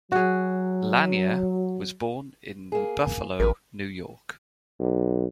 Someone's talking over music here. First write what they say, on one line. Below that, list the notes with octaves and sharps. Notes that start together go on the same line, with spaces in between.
Lanier was born in Buffalo, New York.
F#3 F#4 G#4
A#3 G#4
A1 A#4 B4
B1